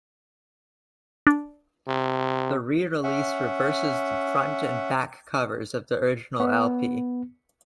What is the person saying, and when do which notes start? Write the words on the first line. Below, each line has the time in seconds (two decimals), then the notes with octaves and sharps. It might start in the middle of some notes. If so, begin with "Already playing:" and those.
The re-release reverses the front and back covers of the original lp.
1.27 D4
1.88 C3
3.04 C#4 E5 F#5
6.40 B3